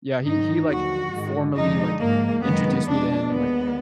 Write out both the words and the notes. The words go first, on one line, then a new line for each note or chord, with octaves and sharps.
yeah, he he, like, formally, like, introduced me to him and, like,
G#2 D#3 F#3 D#4
D#2 D3 F3 F#4
G#2 D#3 G#3
F2 D3 F3 G#3 D#4
G#2 F3 G#3 A#3
F#2 D#3 G#3 B3
F2 F3 G#3 D4
D#2 D3 G#3 B3